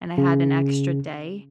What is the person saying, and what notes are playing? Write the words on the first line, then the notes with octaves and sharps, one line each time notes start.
and I had an extra day.
C#3